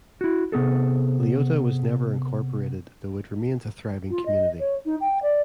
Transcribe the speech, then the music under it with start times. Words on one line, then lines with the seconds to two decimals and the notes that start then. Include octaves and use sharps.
Leota was never incorporated, though it remains a thriving community.
0.21 E4 F#4
0.52 C3 B3 G#4 A4
4.10 F4
4.26 D#5
4.59 C#5
4.85 D#4
5.01 G5
5.22 D5